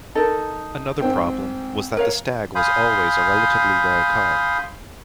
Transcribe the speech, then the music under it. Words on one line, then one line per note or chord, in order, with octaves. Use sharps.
Another problem was that the Stag was always a relatively rare car.
D#4 A4 A#4
G#2 C4 G5
A#4 C#5 F5
F5 G#5 B5 C6 D#6 G6